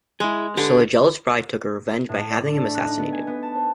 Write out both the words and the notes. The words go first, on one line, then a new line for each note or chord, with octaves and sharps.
So the jealous bride took her revenge by having him assassinated.
G#3 E4 G#4
D3 G4 G#4 B4
A2
D5
D4
A3
F#6
D#4
B3
G#5
B3
A5
C5